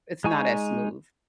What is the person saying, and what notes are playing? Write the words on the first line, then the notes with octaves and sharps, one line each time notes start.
it's not as smooth.
G#3 D#4 G#5 C#6